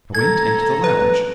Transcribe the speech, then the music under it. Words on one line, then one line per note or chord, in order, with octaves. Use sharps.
I went into the lounge.
A4 A#5 G#6
B4